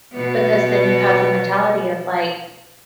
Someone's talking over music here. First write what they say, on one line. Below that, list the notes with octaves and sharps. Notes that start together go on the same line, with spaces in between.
because then you have the mentality of like,
B2 B3